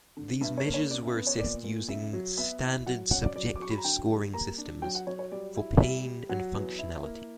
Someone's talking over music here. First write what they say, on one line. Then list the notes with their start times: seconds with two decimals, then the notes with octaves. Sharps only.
These measures were assessed using standard subjective scoring systems for pain and functionality.
0.17 D3
0.41 G2 E5
0.58 C#5
0.66 A#3
0.74 C#5
0.90 C#3 D5
1.03 E5
1.15 B3
1.27 C#5
1.39 A#2 D5
1.64 A#2
1.88 C#3 E5
2.13 F#3
2.38 B3 E5
2.62 E4
2.86 F#3 F#5
3.11 C#4 F#5
3.23 D5
3.35 F#3 D5
3.56 D6
3.60 F#3 C#6
3.70 B5
3.78 A#5
3.84 D3 G5
4.09 G3
4.33 A#3 A#5
4.58 D4
4.82 F#3 G5
4.95 F#5
5.07 F#3 C#5
5.19 C#5
5.32 G3 D5
5.56 E4
5.80 G3 E5
6.05 G3
6.29 F#3 F#5
6.54 E2
6.79 E4
7.03 A#3